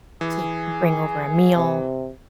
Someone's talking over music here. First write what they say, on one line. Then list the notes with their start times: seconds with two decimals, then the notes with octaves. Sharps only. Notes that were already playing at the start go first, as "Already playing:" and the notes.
to bring over a meal,
0.21 E3 G#4
1.57 C3